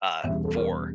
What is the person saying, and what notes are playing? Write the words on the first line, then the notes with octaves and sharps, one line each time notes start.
uh, for
E1 E2 C#3 G3 E5
A4
A#4